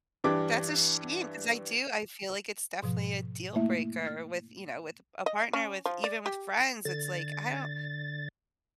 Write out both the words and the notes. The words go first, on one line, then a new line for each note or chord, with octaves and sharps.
That's a shame 'cause I do I feel like it's definitely a deal breaker with you know, with a a partner, with even with friends, it's, like, I don't
G2 E3 D4 G4 D6
G#2 B2 F3
A3 A#3 E4 E5
F6 A6
D#5
C#4
F3
D5
G4
D3 A6